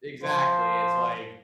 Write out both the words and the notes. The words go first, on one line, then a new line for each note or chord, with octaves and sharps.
exactly, it's like,
F3 C5